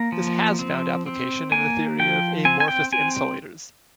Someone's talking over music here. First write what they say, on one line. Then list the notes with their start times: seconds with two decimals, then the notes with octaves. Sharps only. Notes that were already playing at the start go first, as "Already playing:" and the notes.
This has found application in the theory of amorphous insulators.
Already playing: A#3 A#5
0.12 F3
0.59 C4
1.06 C4
1.52 A#3 G#5
1.99 F3 G5
2.45 C4 G#5
2.60 G#5
2.68 G5
2.92 C4 G#5